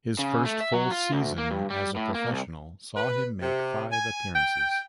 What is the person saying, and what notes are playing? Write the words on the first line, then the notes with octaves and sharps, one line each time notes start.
His first full season as a professional saw him make five appearances.
C#3
A3
E5
F#3
F4
D2
A#3
G2
G3
A2
A#3
C2
B4
C3
G#5
G5